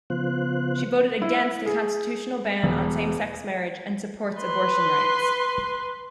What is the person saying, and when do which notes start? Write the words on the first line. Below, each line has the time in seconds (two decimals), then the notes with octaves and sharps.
She voted against a constitutional ban on same-sex marriage and supports abortion rights.
0.10 C#3 F3 B3 F4 C5 F#6
1.22 E4
1.66 G#4
2.63 E1
4.37 B4 C6